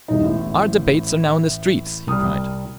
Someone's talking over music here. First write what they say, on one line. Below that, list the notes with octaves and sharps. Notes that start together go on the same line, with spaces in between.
"Our debates are now in the streets," he cried.
E1 C2 D#4
A1 A2
C2 G3 D#6 F6